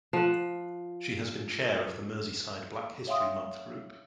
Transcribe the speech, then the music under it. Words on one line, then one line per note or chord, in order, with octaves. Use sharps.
She has been chair of the Merseyside Black History Month Group.
F3 F#5
C#5 E5 F5 G5 C6 D#6